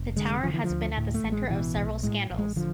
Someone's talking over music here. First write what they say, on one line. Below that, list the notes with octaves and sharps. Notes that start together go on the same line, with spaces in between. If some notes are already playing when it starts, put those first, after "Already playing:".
The tower has been at the centre of several scandals.
Already playing: F1
D3 G#3
D3 F3
E3
F3
D2
A2
A3
A1
G#3
B2 E3
B1
A2 G#3
A1
G#3
D3 F3